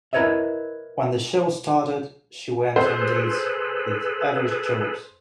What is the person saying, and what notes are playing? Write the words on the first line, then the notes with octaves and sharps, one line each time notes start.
When the show started she went on dates with "average Joes".
E4 A#4 B4 C#5 D#5 E5
G#4 A4 B4 C5